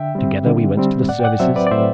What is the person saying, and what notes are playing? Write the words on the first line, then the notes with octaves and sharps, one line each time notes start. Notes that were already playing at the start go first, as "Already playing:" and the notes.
Together we went to the services.
Already playing: D3 E5 G5
G3 C4
D3
G3 C4
A2 D5 F#5
G5
D5 F#5
F#3 C4 C5 E5
B4 D5
D5
A2 C5 E5